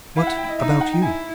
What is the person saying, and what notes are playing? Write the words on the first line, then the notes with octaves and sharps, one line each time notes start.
What about you?
E4 F5
F#5
G5
D#5
D#4 E5
F5
F#5
G5
E4 G#5